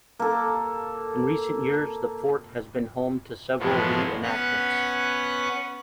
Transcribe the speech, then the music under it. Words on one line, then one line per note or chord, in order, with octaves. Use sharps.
In recent years, the fort has been home to several re-enactments.
A#3 A4
F#2 A2 E3 F3 G#3 B3
B3 C#4 B4 C#5 F#5 F#6